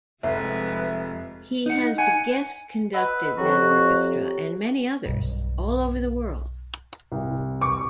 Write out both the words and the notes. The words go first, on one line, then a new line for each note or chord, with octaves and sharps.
He has guest-conducted that orchestra, and many others, all over the world.
F1 F3 G#3 B4 E5
D#4 F#5
F#5 G#5
B4 D#5 F#5 E6
F2 F#4 G4 C#5 A#5
B1 G2
C2
C#6 D6